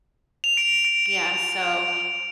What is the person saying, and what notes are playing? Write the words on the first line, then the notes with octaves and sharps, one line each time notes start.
yeah, so,
F7
D7
D7
F7